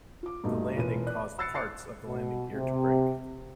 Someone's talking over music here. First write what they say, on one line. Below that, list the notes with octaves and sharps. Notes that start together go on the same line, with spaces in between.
The landing caused parts of the landing gear to break.
F4 D6
G2 B2 A3 D#4
E1 F4 B4 D#7
D5 F#6
B5 E6 F#6 A6 C7 C#7
F#6 A6 C7 C#7
B2
C3